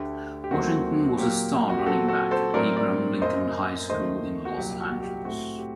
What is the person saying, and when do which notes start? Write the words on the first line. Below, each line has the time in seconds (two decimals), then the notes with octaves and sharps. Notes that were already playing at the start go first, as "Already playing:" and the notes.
Washington was a star running back at Abraham Lincoln High School in Los Angeles.
Already playing: D2 D3 A3 G4
0.44 G4
0.51 D#2 D#3 F#3 A3 C4 F#4
1.18 A#2 F#3 A#3 G4
1.70 F#4
1.78 G4
1.86 A#2 F#3 C4 F#4 A4
2.08 F#4 A4
2.31 A4 C5
2.54 A2 F#3 C4 A#4 D5
2.76 A#4 D5
3.22 F#2 F#3 A#3 C5 D#5
3.89 D#2 D#3 A3 C5 D#5
4.45 F#4
4.57 C2 A#2 F#3 G4
4.80 F#4
5.03 G4
5.25 A2 A3 C4 F#4
5.59 G4